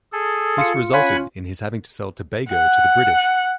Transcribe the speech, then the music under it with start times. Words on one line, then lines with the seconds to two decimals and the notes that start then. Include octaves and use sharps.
This resulted in his having to sell Tobago to the British.
0.12 G#4 A4
0.58 F4 C#7
0.93 C#4 F4 F#5 G#5 B5
2.49 F#5